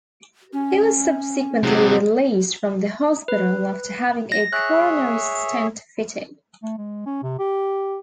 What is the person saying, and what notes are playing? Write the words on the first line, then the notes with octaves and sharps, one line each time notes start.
He was subsequently released from the hospital after having a coronary stent fitted.
C#4
C3 F#3 G#4
B4
A#6
G#4 C#5 E5 F#6
A3
G#3
C#4
C3
G4